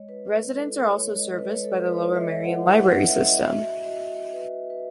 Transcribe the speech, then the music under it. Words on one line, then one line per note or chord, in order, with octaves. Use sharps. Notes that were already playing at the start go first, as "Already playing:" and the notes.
Residents are also serviced by the Lower Merion Library System.
Already playing: G#3 C#5 D#5
E4 B4
E4 A4
C#5
G#3
D#5
B4
G#3 C#5
A4
B4
B4
E4 C#5
E5
D#5
E4 F#5
F#5
C#4
E5
D#5
F#4 E5
E5
F#4 D#5
F#4 B4
B4